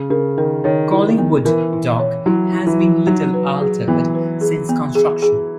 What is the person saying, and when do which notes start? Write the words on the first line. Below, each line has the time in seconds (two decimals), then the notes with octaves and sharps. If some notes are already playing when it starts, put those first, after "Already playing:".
Collingwood Dock has been little altered since construction.
Already playing: C#3
0.10 C#3 A#4
0.37 D#3 A#4
0.64 D#3 C#5
0.91 E4
1.18 B3
1.45 E3 A#4
1.73 E4
1.99 C#5
2.26 F#3 E4
2.53 E4
2.67 E3
2.80 E4
3.07 F#3 D#4
3.34 B4
3.61 G#4
3.88 E3 B3
4.15 B4
4.41 G#4
4.69 B3
4.95 G#4
5.22 G#4